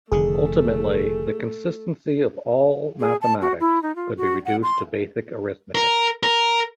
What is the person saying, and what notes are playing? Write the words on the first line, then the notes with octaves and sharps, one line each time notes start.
Ultimately, the consistency of all of mathematics could be reduced to basic arithmetic.
F1 D3 D#3 A3 G#4
G#4
A5
F#4
E4
D#4
F4
F#4
F#5
C6
A#4
A#4